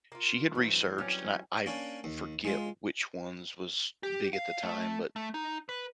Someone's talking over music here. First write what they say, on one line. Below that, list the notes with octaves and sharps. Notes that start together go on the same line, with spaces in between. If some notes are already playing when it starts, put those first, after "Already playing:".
she had researched, and I I f forget which ones was big at the time, but
A#3 F4
G2 E3 F#3 A3 C4
F#3 G3 C4 C#4 F5 G#5
A#3 C#4 D4
D#2
G#3 F4
G4
F5
A3
A3
D#4
B4